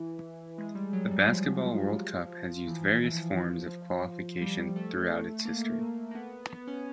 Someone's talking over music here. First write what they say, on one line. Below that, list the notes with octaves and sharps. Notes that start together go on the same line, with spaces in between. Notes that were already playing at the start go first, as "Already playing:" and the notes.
The Basketball World Cup has used various forms of qualification throughout its history.
Already playing: E3
G#3
G3
F#3
F#3
G3
F3
E3
E3
F3
G3
A3
A#3
A#3
B3
B3
C#4